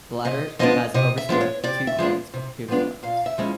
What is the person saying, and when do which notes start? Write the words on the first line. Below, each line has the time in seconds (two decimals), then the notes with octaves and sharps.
The latter has overstruck two coins of Peucolaos.
0.25 C3 D#5
0.59 F3 G#3 B3 D4 D#5
0.94 C3 D#5
1.17 E5
1.29 F3 G#3 B3 D4
1.41 C#5
1.64 C3 D5
1.87 E5
1.98 F3 G#3 B3 D4
2.34 C3
2.68 F3 G#3 B3 D4
3.03 A#2 F5
3.26 E5
3.38 F3 G#3 C#4 E4